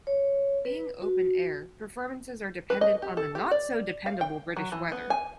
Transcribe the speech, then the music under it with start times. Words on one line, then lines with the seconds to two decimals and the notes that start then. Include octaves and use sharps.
Being open air, performances are dependent on the not-so dependable British weather.
0.07 C#5
0.65 B4
1.02 F#4
2.70 B4
2.81 D#5
3.02 G4
3.17 A4
3.35 G4
3.51 D5
4.06 F5
4.21 G5
4.56 F#3
4.72 E3
4.92 B3
5.10 G#5